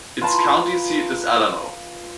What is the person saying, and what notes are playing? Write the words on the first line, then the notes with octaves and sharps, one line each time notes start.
Its county seat is Alamo.
F4 B4 A5 A#5